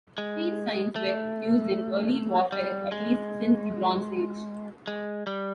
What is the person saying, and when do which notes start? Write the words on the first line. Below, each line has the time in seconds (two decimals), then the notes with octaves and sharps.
Field signs were used in early warfare at least since the Bronze Age.
0.18 G#3
0.96 A3
2.52 G3
2.92 G#3
4.88 G#3
5.27 G3